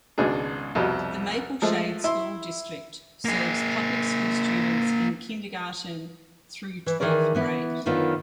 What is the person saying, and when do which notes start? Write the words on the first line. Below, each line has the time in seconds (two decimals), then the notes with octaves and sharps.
The Maple Shade School District serves public school students in kindergarten through twelfth grade.
0.18 G#1 C#2 B2 D4 G#4
0.75 C2 F2 B2 G3
1.62 F3 G#3 A3
2.04 E4 C6
3.25 A#3 G#4
6.86 E3
7.00 D#3 E3 G#4 A#4 D5
7.35 E3 B3 E4
7.86 F#2 D3 D#3 B3 F4